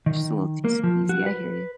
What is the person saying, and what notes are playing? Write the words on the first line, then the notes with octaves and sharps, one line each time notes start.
Just a little too skeezy, I hear you.
D#3
A#3
F3
F#4
B4